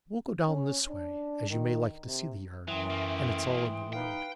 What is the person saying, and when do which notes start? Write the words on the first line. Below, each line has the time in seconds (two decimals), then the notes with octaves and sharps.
We'll go down this way, as you may like to see the yard, and it's all in the road.
0.48 C#4
0.89 D4
1.50 D#3
2.07 C3
2.68 F#2 E3 F#3 G5 C6 D#6
2.90 A3 A#3
3.93 D#4 B4 F5 G5